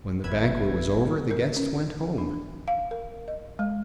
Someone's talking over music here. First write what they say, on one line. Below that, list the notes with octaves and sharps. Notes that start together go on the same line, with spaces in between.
When the banquet was over the guests went home.
G#1 B4 E5 G#6
A#4
C#4
D4
F5
A#4
D#5
G#3